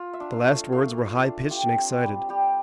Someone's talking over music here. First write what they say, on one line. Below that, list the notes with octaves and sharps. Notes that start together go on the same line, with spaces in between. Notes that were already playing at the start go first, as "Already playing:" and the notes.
The last words were high-pitched and excited.
Already playing: F4
E5
D4
F5
A3
A3 F5
F4
D4
F4 G4
C4
G3
G3 G4